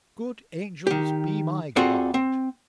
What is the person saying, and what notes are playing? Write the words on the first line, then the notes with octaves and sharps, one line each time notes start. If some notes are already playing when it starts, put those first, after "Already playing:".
Good angels be my guard!
D#3 G4
C4 F4 F#4 G#4 A4 D5
C4